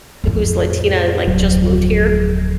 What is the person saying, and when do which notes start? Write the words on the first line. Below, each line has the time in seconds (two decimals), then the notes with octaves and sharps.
who's Latina, like, just moved here
0.24 F2 A2
1.27 D1 F#3